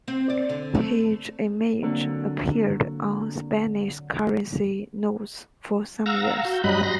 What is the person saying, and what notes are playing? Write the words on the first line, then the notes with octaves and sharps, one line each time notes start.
His image appeared on Spanish currency notes for some years.
C4
D5
D3
A3
D3 F#3 A#3 C4 D4
F5 F#5 A#5 E6
F#4 G6
G2 F#3 G3 D#5 B5 F#6
C6 A#6